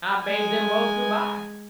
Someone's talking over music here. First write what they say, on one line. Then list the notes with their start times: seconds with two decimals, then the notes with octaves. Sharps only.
I bade them both good- by.
0.25 G#3 G#5